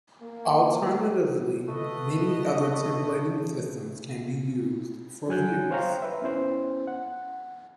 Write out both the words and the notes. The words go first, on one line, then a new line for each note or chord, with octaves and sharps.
Alternatively, many other templating systems can be used for views.
A#3
A3 B3 B4 D#5
F#3 G#5 F#6 G6
C5 C#5 F5 G5 A#5 C6
B4 E5
B3 C#4 E4 C5
F#5